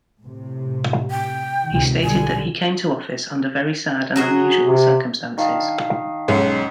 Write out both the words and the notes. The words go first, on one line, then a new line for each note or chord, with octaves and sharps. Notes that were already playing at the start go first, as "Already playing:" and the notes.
He stated that he came to office under "very sad and unusual circumstances".
A2 C3
G5
C#2 C3 D#3
B1 D3 G3 G#5
F#3 F#4 G#4
C3
D#3 F5 A5
B1 G#3 C#4